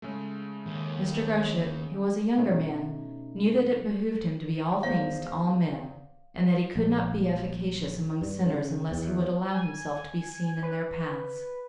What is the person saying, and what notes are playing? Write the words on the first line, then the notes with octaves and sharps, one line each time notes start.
Mr. Groschut, who was a younger man, knew that it behoved him to be all things to all men, and that he could not be efficacious among sinners unless he would allow himself to be seen in their paths.
C#3 G#3 A3
D#2
B2 A3 C#4 D#4
E2 C5 C#5 F5
A#1
G2
C#3
E2
G#5
B4